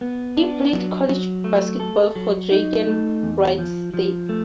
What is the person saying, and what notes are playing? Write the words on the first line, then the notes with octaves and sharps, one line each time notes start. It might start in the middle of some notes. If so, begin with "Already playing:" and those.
He played college basketball for Drake and Wright State.
B3
D4
F#3
F#3
A3
A4
F#3
D#4
A3
E2
F3
F3
A3